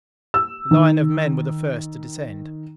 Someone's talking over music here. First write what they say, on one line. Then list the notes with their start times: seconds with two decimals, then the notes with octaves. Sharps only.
The line of men were first to descend.
0.34 E6
0.71 D#3